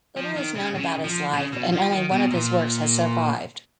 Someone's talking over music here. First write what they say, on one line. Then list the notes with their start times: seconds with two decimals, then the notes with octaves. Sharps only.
Little is known about his life and only one of his works has survived.
0.16 F3
0.36 D#3
0.55 C#3
0.75 C#3
1.04 F3
1.33 C#3
1.53 B2
1.73 F3
1.92 D#3
2.11 B2
2.31 A#2